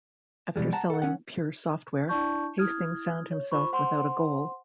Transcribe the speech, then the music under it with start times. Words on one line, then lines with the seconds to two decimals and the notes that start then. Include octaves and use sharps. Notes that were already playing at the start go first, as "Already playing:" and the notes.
After selling Pure Software, Hastings found himself without a goal.
0.56 B2 E3 G3 G#3
0.73 F#5 A5 A#5
0.90 A4 F#5
1.02 C#4 F#5
2.08 D4 E4 D5 A5 C#6 G6
2.58 E4 D#6 F6 G#6
3.31 C#5
3.52 F4 C5 B5 C#6
3.72 C5 F#5 C6